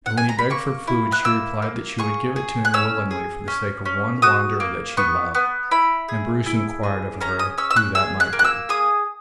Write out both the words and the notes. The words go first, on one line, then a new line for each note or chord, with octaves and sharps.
And when he begged for food she replied that she would give it to him willingly for the sake of one wanderer that she loved; and Bruce inquired of her who that might be.
F#5
G#5
A#5
B5
A#3 C#6
E4
F#6
A#3 E6
A#3
G#4 C#6
G#4
F#6
C#4 E6
G#4
C#4
C#4
F#4 D#6
A#3
B3 C#6
B3
E4 B5
G#4
E4
G#4
C#4 A#5
D#6
C#4 E6
E6
F#6
G#4 E6
F#6
A#3
F#6
E6
G#4 D#6